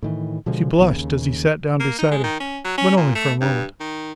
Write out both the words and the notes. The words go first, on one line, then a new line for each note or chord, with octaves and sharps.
She blushed as he sat down beside her, but only for a moment.
A2 D#3 E3
B2 D3 F3 G#3
A#1 E3 B3
D#2 C#3
A#3
D#4
G#3
D#3
C#4
F#3
C#4
A#2
A3
G2
D#3